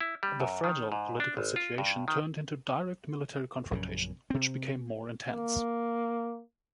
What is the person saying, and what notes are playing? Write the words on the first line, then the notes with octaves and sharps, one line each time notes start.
The fragile political situation turned into direct military confrontation, which became more intense.
E4
G3
F#2
D#3
G#2
D4
G#1
F4
G2
D#3
A#1 F#2 C#3
C3 C4
A#3